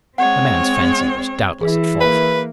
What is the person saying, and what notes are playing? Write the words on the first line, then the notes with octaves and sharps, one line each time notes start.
The man's fancy was doubtless at fault.
G#3 C4 C#5 F#5
E3 E4 G#4
A#3 B4